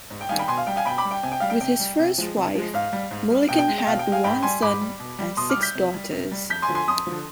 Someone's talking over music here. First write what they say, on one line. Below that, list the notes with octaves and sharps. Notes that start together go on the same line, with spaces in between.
With his first wife, Milliken had one son and six daughters.
G#2
G5
D#3 G3 F5 G#5
G5 B5
B2 G#5 C6
F5
G3 G5
F5 G#5
B2 G5 B5
B5 D6
G3
G5
C3 G#5
G5
G3 F5
G5
C3 G5
G3
C3
F3 G#3
C3
F3 G#3
G#2 F5
G3
G#2
G3
B2 G5
G5
G#3
G5
B2 F5
G5
G#3
F5 G#5
G#2 G5 B5
G3 G#5 C6
G#2 B5 D6
G3
B2
G3
B2 C6 D#6
D6 F6
G3
G6 B6
C3
G3
C3
G3
F2 G6 B6
G#5 C6
D3 F3
G#5 C6
F2 C6 D#6
D3 F3